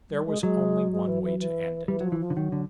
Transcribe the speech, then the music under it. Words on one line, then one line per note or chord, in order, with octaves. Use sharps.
There was only one way to end it.
G3
G#3
F#3 G#3
G#3
E3
E3
E3
E3 G3
F3 F#3
E3
F3
D3
D#3 F#3
D3